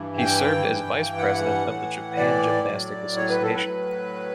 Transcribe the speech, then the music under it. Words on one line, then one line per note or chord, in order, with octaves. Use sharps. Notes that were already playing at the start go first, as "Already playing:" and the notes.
He served as vice president of the Japan Gymnastic Association.
Already playing: G2 E3
G5
G2 E3
F#5
A2 E3
D5
A2 F#3
C#5
B4
A4
B4
A2 F#3